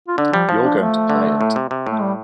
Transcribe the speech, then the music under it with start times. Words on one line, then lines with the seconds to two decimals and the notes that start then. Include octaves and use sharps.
You're going to play it.
0.08 F4
0.18 D3 D4
0.33 F3 G3
0.49 F3
0.64 D4
0.79 A3
1.10 D3
1.41 A2
1.56 C3
1.71 C3
1.87 A2
1.92 A3
2.02 G3